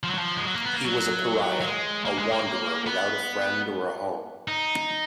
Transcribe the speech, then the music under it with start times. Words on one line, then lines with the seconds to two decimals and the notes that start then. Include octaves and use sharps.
He was a pariah; a wanderer without a friend or a home.
0.03 F3
0.10 F#3
0.18 F3
0.36 G#3
0.44 F#3
0.54 A#3
0.65 B3
0.74 A#3
0.85 F#3
1.61 F#3
1.65 G#3
2.05 A#3
2.19 G#3
2.32 A#3
2.87 B3
4.48 D#4